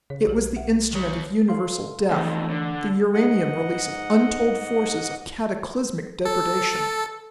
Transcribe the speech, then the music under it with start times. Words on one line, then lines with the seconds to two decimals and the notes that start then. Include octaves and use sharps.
It was the instrument of universal death--the uranium release of untold forces of cataclysmic depredation.
0.10 C#3 C#5
0.27 B1 F#4 G4
0.56 E5 F#5
0.93 D#3 C#5
1.49 A4 F5 C6
2.10 F2 D#3 E3 A3
2.50 D3
3.14 G#2 D#5 F#5
6.25 A4